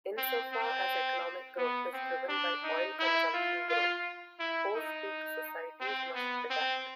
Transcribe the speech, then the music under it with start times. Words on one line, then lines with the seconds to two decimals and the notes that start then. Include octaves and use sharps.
Insofar as economic growth is driven by oil consumption growth, post-peak societies must adapt.
0.17 C4
0.53 C4
1.57 B3
1.93 C4
2.28 D4
2.64 D#4
2.99 E4
3.34 F4
3.69 F4
4.39 E4
4.75 D#4
5.80 C4
6.15 B3
6.50 C4